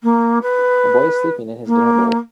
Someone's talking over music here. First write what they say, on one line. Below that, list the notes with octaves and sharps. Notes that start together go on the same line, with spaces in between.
A boy is sleeping in his dinner bowl.
A#3
B4
A#3